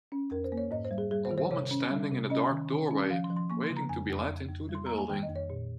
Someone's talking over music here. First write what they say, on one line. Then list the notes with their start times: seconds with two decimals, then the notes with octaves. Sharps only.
A woman standing in a dark doorway, waiting to be let into the building.
0.12 C#4
0.31 F2 A#4
0.44 C5
0.52 A#3
0.58 C#5
0.71 G#2 D#5
0.85 C5
0.91 G3
0.98 G#4
1.11 G3 G#4
1.25 C5
1.31 D#3
1.38 C5
1.51 C3 C#5
1.71 C#4
1.91 G3
2.11 C3
2.30 C#4 D#5
2.50 D#3
2.71 D#3
2.91 C#4
3.10 F3 F5
3.24 C6
3.30 F3
3.37 C6
3.50 A#3 C#6
3.64 C6
3.71 C#3
3.77 A#5
3.89 F2 G#5
4.09 F2
4.30 F2
4.49 F2
4.69 G3
4.75 C6
4.86 A#3 A#5
4.98 G#5
5.09 D#3 G5
5.23 D#5
5.29 F2
5.36 C#5
5.50 A#2